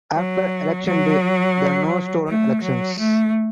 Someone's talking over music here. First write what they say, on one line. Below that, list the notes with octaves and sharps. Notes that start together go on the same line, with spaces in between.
After election day, the No Stolen Elections!
F#3
F#3
A3
F#3
A3